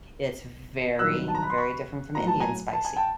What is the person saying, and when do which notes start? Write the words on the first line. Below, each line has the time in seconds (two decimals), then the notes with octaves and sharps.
it's very, very different from Indian spicy.
0.99 G2 D#3 F#3 E6 F#6
1.28 A5
1.35 A#5
1.43 B5
1.50 C6
1.58 B5 C#6
2.15 A2 F#3 A#5
2.27 A5
2.40 G#5 A#5
2.73 A5
2.85 G#5
2.96 G5 A5